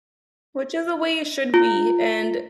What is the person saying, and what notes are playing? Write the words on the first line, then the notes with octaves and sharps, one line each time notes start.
Which is the way it should be, and
F4